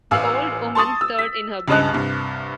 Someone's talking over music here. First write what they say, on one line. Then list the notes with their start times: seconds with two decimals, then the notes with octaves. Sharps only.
The old woman stirred in her bed.
0.11 A1 F5 G#5 E6
0.75 A5 C6 C#6 D#6 A6
1.01 E6
1.19 B6
1.68 C#2 G2 C#3 D#5 A5 F#6
1.93 C2 G2 C3